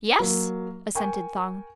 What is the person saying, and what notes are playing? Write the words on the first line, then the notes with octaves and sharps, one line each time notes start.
"Yes," assented Thong.
F#3 A#3
A#4 G5 G#5 C#6